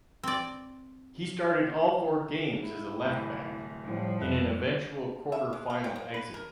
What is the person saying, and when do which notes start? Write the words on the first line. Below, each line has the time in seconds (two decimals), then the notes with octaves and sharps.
He started all four games as a left-back, in an eventual quarter-final exit.
0.23 C4 D5
2.63 E4
3.03 D1 C2
3.84 A2 F3 G3
4.20 F2 B4 E5 F#6
5.32 E5
5.53 G#3
5.70 F5
5.84 G5
5.96 A#3
6.14 B4
6.34 A#4